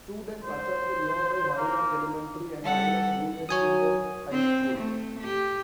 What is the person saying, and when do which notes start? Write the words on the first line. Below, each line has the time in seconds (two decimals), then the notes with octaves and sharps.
Students attend the nearby Highland Elementary and Highland Junior-Senior High School.
0.44 C5
1.57 A#3
2.61 G3 A4 F#5
3.49 F#3 C#5 G#5 D#6
4.32 C4
4.79 A3
5.20 G4